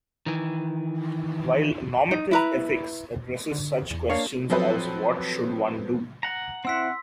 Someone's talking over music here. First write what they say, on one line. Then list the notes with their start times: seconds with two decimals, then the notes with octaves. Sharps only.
While normative ethics addresses such questions as What should one do?
0.26 D#3 E3
2.11 D#4
2.31 E4 B4 A#5
3.51 D3
3.90 E2
4.10 A#3 D4 C#5 F5
4.50 F3 F#3 C4 A4 B4
6.23 F#5 A#5
6.65 C4 E4 F#5 C6 E6 B6